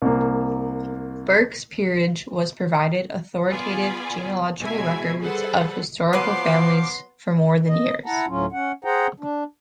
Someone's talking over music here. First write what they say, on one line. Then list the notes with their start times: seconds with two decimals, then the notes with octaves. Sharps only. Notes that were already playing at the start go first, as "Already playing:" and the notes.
Burke's Peerage has provided authoritative genealogical records of historical families for more than years.
0.02 C2 A#3
3.49 B3 F4 G#4 D5 G#5 B5
4.60 B2 G#3 E4 G#5 G#6
5.21 G3 G#4 A4 B4 C5 F#5
6.13 F3 F#3 A#3 B3 B4 C6 D6 C7
7.67 D#5
8.06 E4 F#5 A5 A#5
8.28 D2 A2 F#3 C#4 F4
8.52 C#4 F#5
8.84 G#4 C5 F#5 G5 A#5
9.20 D4